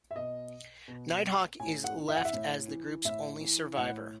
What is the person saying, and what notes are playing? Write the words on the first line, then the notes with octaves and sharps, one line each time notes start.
Nighthawk is left as the group's only survivor.
E5
B2 D#5
B2
A2 G#5
F#5
E3
E5
F#5
E5
A2
E3
A2 E5
E3
A2 F#5